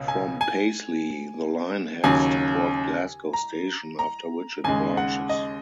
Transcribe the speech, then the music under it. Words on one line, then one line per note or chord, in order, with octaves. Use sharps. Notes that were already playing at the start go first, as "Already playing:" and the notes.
From Paisley, the line heads to Port Glasgow station, after which it branches.
Already playing: C#2 B2 C#4
G#5
G#5
D#2 C#3 F#3 G#5
A#5
A#5
D#2 C#3 G#3 G#5
F#5
D#5